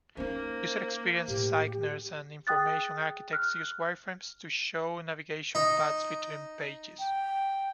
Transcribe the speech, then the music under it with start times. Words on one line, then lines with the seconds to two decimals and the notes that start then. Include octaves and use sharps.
User experience designers and information architects use wireframes to show navigation paths between pages.
0.17 A#3 C#4 D#4 C5
1.28 A2 G4
2.47 G#4 G5 D#6 F#6 A6
3.33 F6 F#6
5.55 D#4
6.99 G5